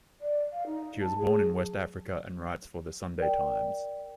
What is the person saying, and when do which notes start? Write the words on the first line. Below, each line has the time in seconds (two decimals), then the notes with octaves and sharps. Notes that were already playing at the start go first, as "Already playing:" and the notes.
She was born in West Africa and writes for "The Sunday Times".
0.21 D5
0.52 F5
0.66 D#4
1.02 A5
1.18 G#4
3.18 A#4 D5 G5